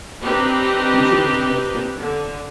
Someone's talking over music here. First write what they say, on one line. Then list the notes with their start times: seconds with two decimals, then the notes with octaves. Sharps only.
You should just not expect that.
0.24 C4 D4 D#4 G4 B4
1.97 D3